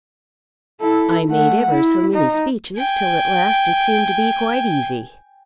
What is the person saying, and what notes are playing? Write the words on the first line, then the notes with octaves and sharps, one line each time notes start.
I made ever so many speeches, till at last it seemed to be quite easy.
E4 A4
A3 F#5
E4
D#4
G5 G#5